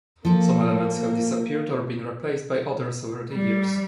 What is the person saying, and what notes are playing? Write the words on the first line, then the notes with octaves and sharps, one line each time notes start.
Some elements have disappeared or been replaced by others over the years.
F3 A#3 A4
G3